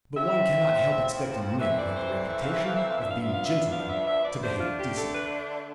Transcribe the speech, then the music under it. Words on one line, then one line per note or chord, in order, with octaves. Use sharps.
"But one cannot help expecting men who have the reputation of being gentlemen to behave decently."
A2 F3 C4 E5
C3 E3 A3 C4 E5
D5
C5
D5
E5
F5
E5
F5
E5
F5
D3 F3 B3 D4 E5
F5
E5
F5
E5
F5
E5
E5
D5
D3 A3 D4 C5
F4
G4
A4
B4